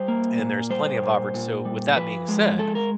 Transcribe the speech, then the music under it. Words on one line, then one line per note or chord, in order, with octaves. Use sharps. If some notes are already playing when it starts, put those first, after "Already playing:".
And there's plenty of opport so, with that being said,
Already playing: G3 C5
A#3
A#2
G3 C5
A#2
A#2
G3
F3 B4
G#3
G#3 A4
A#4